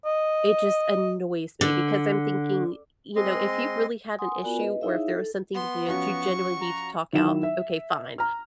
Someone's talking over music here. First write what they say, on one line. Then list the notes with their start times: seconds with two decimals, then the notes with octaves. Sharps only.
it just annoys me because I'm thinking, you know, "If you really had an issue or if there was something that you genuinely need to talk out, okay, fine.
0.05 D#5
1.61 D3
3.16 G#3 C4 D#5 C6
4.19 F#5 G#5 C6 D#6
4.42 B3 F4 F#4 A#4 D5 G#5
4.57 B4 D#5
4.81 D#4 E4 G#4 C#5 E5 F5
5.09 A4
5.54 B3 C6
5.88 F3 C#4 F#4 C#6
6.61 A#5
7.13 D#3 F#3 E4 E5 E7
7.43 E5
8.18 A#5 F6